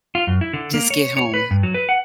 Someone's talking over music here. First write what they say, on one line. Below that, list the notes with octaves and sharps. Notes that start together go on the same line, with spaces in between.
Just get home.
F4
F#2
E4
D3
A#3
C#5
C#5
B4
G2
F#3
B4
F#5